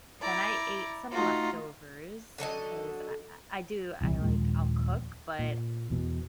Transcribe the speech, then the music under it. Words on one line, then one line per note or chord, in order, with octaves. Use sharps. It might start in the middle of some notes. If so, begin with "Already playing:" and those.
then I ate some leftovers 'cause I I I do I, like I'll cook, but
E4 D5 A#5
A3 D#4 F4 F#4
D3 F#3 A4 D#5
D#1 C2 E3 G3
A#1 D#2 A#2 G#3
A#2
E2 B2